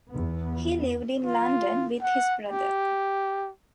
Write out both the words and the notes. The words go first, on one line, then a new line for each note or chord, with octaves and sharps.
He lived in London with his brother.
E2 B3
F4
F#5
G4